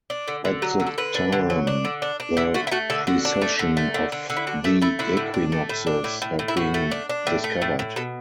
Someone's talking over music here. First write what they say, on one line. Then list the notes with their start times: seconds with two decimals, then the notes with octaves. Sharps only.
At the time, the precession of the equinoxes had not been discovered.
0.10 D4
0.28 D3
0.45 D3
0.62 F#3
0.80 D3
0.87 A4
0.98 D3 B4
1.14 D4
1.32 D3
1.50 F#3
1.67 D4
1.85 D3
2.02 D4
2.20 D4
2.37 D3 E4
2.54 A3 F#4
2.67 E4
2.71 A3 F#4
2.90 D3 A4
3.07 D3 F#4
3.25 D4
3.42 A3
3.59 D3
3.77 A3
3.94 D3
4.12 D3
4.30 D3
4.37 E4
4.47 D4 F#4
4.64 A3 E4
4.82 A3 E4
4.99 D3 E4
5.17 A2
5.34 D4
5.52 A3
5.69 A2
5.87 D4
6.04 A2
6.22 A2
6.39 A2
6.48 E4
6.57 A2 F#4
6.74 A3
6.91 D4
7.09 D4
7.27 A2
7.44 A3
7.62 A2
7.79 A2
7.96 B2 A4